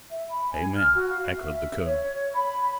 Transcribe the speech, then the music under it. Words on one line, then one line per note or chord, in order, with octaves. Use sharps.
"Amen!" echoed the colonel.
E5
B5
G#5
F6
F#4
F5
E5
C#5
B5